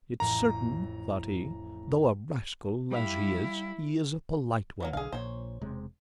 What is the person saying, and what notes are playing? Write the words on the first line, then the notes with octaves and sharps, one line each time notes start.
"It's certain," thought he, "though rascal as he is, he is a polite one!"
A1 F2 A2 A#5
G3 E4 G4 F5
E3 F#3 A#3
B1 D3 G#4 F5
A#1 A#2 C5 C#5
E1 C3 G#3